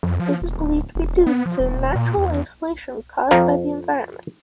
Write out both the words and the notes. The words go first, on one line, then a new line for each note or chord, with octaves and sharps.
This is believed to be due to the natural isolation caused by the environment.
F2
F3
E1
D1
F1
D#1
B3
F3
D#1
A#2
E2
F2 F3 F5 A#5